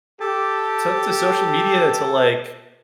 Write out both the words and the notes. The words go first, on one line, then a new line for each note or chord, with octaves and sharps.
took to social media to, like,
G4 A4 A5